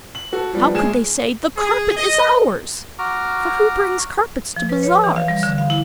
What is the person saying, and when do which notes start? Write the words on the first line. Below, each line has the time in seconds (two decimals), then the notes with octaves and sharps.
How could they say, 'The carpet is ours!' For who brings carpets to bazaars?
0.15 F#7
0.33 F#4 A4
0.53 F3 G3 B3
0.74 A#1 G#3 G#4 G#5 E7
1.57 G#4
1.97 D#5
2.99 F#4 A#5 D6 F6
4.56 F3
4.69 B4
4.83 C#5
5.04 E3
5.16 F5
5.28 G3
5.43 D3
5.58 F5
5.70 E4